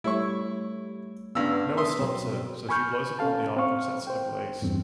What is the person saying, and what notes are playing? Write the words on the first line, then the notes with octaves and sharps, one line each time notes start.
Noah stops her, so she blows upon the ark and sets it ablaze.
G3 A3 E4 C#5 C#6
G2 C#3 B3 D4 E6
E5 C6 D#6
B2 F#3 C4
G#5 B5 C#6 F6 G6
C#4 A4 F5 A5
C4 C5 F5 C#6 F6
C5 G5
E2 G2 C4